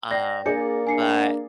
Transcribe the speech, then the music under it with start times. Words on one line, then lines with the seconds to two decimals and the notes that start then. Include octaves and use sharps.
um, but
0.11 D5 G5 A#6
0.46 A#3 D4 G#4 D5 C#7
0.87 D4 G#5 C7 C#7